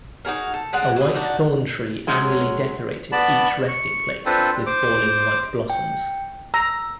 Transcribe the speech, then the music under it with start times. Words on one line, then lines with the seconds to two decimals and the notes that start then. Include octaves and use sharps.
A white thorn tree annually decorated each resting place with falling white blossoms.
0.25 D#4 F#4 G#4 A#4
0.54 A4
0.73 D3 G#3 F#5
0.96 F#3 G#4
1.15 D4 D#4 F#4
2.07 F#3 G#3 C#4
3.12 B3 D5 A5 B5
3.68 C#6
4.26 C4 D4 F4 A4 B4 C5
4.66 C5 D6
5.70 G5
6.54 A#5 E6